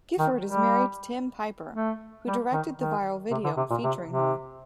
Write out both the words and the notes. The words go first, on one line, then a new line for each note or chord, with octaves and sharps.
Gifford is married to Tim Piper, who directed the viral video featuring her.
D#3
G3
A3
G3
D#3
D#3
C3
D3
C3
A#2
C3
C3